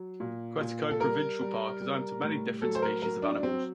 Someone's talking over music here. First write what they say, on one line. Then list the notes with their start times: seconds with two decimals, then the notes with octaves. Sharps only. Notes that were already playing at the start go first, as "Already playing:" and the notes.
Quetico Provincial Park is home to many different species of animals.
Already playing: F#3
0.20 A#2
0.61 A#2
0.91 A4
1.01 G3 A#4
1.41 G3
1.82 G3
2.22 A2
2.61 F#3 A4
2.75 C5
2.82 A#4
3.02 F#3 A#4
3.22 D4
3.37 D4
3.42 F#3 C4